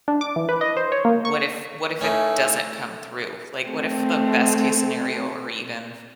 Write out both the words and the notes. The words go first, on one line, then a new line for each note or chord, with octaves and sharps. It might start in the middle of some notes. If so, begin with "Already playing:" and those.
what if what if it doesn't come through? Like, what if the best case scenario, or even
D4
D6
E3
B4
D#5
C5
C#5
A#3
C#6
A3 C#4 D#4 E4
A3 C4